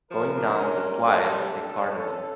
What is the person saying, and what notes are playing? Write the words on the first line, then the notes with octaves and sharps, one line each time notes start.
Going down the slide at the carnival.
F3 A#4
D4
C#4
G3
A2 A4
G3
D3
C#4
C#4 A4